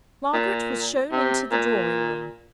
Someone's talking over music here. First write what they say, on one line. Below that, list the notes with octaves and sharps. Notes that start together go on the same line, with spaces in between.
Margaret was shown into the drawing-room.
A#2
C3
A#2